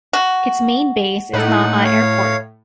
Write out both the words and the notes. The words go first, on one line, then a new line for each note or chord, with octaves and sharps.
Its main base is Naha Airport.
F#4
A2 D#4 F#5
C#5 F5